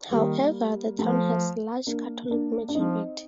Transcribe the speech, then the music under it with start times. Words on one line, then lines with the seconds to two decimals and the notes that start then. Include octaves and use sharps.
However, the town has a large Catholic majority.
0.10 D#3 G3 A#3
0.99 F3 A3
1.87 A#3 D4
2.30 A#3 D4
2.69 D4
2.75 F3 C4 D#4